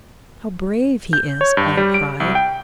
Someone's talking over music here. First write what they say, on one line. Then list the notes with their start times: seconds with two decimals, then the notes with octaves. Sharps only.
'How brave he is!' all cried.
1.13 G6
1.41 C#5
1.57 G2
1.77 G3
1.94 D7
2.20 C2
2.35 G5